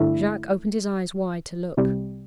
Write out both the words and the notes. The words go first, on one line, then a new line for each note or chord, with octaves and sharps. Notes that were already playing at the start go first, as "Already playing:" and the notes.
Jacques opened his eyes wide to look.
Already playing: G2 D3 A3 E4
C2 C3 G3